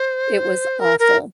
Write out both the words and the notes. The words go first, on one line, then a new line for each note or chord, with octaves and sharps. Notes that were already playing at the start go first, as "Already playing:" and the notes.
It was awful.
Already playing: C5
A#4
A#4